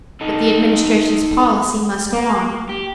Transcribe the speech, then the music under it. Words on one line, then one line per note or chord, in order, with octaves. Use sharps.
But the Administration's policy must go on.
D#4 A4
A#3
G4